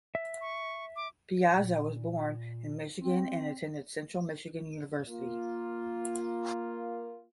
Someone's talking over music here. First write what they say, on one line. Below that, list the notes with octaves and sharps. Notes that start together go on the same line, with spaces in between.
Piazza was born in Michigan and attended Central Michigan University.
E5
C#6
D6
A#2
C4
A#3 F4